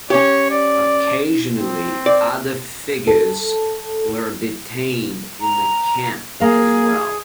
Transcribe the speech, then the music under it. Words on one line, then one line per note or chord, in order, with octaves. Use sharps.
Occasionally other figures were detained in the camp as well.
C#4 G4 C#5
D5
C4
D5
A4
A#5
A#3 G#4 F5